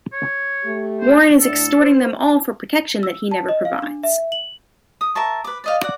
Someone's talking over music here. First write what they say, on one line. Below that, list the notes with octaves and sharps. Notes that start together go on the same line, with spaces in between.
Warren is extorting them all for protection that he never provides.
C#5
A3 G4
C5
A2 D4 A4
C5
E6
A5
D#5
F5
D4
E5
F#7
D#6
A#4 E5 A5 C#6
B4 D6
D5 D#5 F5
F#4 D5 F#5